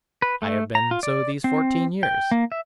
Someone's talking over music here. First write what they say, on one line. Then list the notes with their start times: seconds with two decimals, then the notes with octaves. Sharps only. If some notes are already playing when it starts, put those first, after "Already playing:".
"I have been so these fourteen years."
0.22 B4
0.42 A3
0.75 A#5
0.91 F4
1.03 D5
1.44 C4
2.03 G5
2.31 A#3
2.52 E5